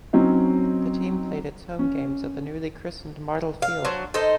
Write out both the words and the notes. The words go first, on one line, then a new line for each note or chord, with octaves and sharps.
The team played its home games at the newly christened Martell Field.
F#3 C4 C#4 D#4
C#4
F5
F#3 D4 C5
D#4 A4 C5 D#5